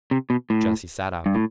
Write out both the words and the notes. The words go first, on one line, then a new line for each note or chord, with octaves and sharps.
Jesse sat up.
C3
B2
A2
G2
A2